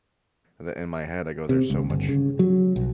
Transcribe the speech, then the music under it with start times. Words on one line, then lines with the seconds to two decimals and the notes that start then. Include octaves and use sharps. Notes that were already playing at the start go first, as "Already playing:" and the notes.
that in my head, I go "There's so much
1.49 C3
1.70 C#2
1.90 G1
2.09 C#3
2.39 F#3
2.76 B1